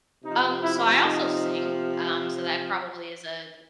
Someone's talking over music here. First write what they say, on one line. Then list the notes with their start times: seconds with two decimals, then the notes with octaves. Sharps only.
Um, so, I also sing, um, so that probably is a th
0.24 C3 F3 D#4
0.64 E4
1.02 D#4